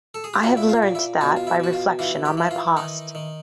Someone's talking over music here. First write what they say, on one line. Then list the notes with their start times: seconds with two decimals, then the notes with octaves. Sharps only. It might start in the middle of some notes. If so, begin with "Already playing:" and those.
I have learnt that by reflection on my past.
0.14 A4
0.24 G#4
0.34 G4
0.43 A#2 F#4
0.57 E4
0.69 F4
0.83 A#2
0.95 E4
1.21 B2 D#4
1.37 F4
1.47 E4
1.60 B2 F#4
1.73 F4
1.99 E3 F4
2.25 G4
2.37 E3
2.51 F4
2.77 D#3 D#4
3.15 D#3